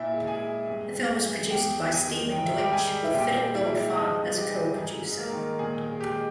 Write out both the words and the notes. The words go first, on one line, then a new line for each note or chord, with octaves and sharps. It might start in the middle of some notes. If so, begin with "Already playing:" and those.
The film was produced by Stephen Deutsch, with Phillip Goldfarb as co-producer.
Already playing: A#2 E4 E5
G#3
G#4 G#5
G#3
G2
G2
E3
E2 G4 G5
E2 G5
G#4 G#5
D#3
G#2 G5
E5
G3 G4 G5
G#4 G#5
G3
E5
A#2 G4 G5
G#3
E4 E5
G#3
G2 D#4 D#5
G2
G4
E3
G#2 G#4
G#2
A#3 A#4
D#3
A#2 G#4
G#3
G4
G#3